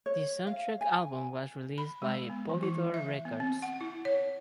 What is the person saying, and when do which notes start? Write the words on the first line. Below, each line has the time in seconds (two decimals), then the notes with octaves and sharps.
The soundtrack album was released by Polydor Records.
0.06 C#5
0.47 F5
0.81 G#5
1.78 B5
2.02 G#3
2.30 B3
2.49 E3
2.63 E4
2.94 E5
3.25 B3
3.40 C4
3.62 F#5
3.81 E4
4.05 C#5